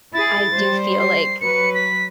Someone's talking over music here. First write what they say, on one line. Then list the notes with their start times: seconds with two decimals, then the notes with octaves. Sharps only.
I do feel like,
0.14 E4 G#4 A6
0.52 G3 C5
0.99 C7
1.41 F#3 B4 C#7
1.74 B6